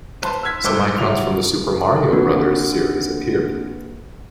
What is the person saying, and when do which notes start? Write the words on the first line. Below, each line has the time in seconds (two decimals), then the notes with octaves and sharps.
Some icons from the Super Mario Brothers series appeared.
0.22 B4 C5 A5 B5 C6
0.43 E6 F6 G#6 B6
0.64 F#1 G2 C5 D6 E6 G7
0.98 G1 F#3 G3 E4 F7
2.13 A#3 C4 D4 F#4 B4